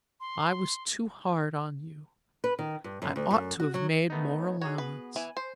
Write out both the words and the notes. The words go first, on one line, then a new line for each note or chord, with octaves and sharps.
I was too hard on you--I ought to have made more allowance.
C6
B4
D#3
G2
F#2
D2
F#2
F#4
F#3
D#3 A3 B3 D#4
C#5
D#4 F#4 G#4 C#5
B3 B4
E3 G#5
C5